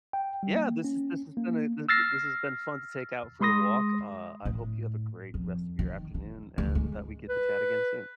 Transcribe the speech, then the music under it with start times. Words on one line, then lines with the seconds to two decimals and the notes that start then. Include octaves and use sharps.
Yeah, this is this has been a, w this has been fun to take out for a walk. Uh, I hope you have a great rest of your afternoon and that we get to chat again soon.
0.13 G5
0.43 G3
0.55 A#3
0.84 C#4
1.37 A#3
1.89 E6 F6 A6 A#6 C7
3.41 G#3 B5 C6 D#6 A#6
4.45 A2
5.34 F2
5.79 D#3
6.14 D#3
6.58 D2
6.75 G#3
7.29 B4